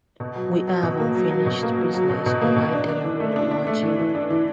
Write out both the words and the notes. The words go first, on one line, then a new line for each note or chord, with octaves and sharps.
We have unfinished business, and I didn't really want to leave here.
B2
F#3
F#3
F#3
B2
A#3
F#3
F#3
B2
A#3
F#3
F#3
B2
B2
A#3
B2
D4
D4
E3
A3
D4
D4
A3
E3
E3
D4
E3